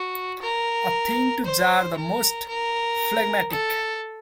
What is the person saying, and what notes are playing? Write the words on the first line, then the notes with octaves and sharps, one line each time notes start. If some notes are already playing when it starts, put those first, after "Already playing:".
A thing to jar the most phlegmatic.
Already playing: F#4
A#4
C5
A#4
A#4
A4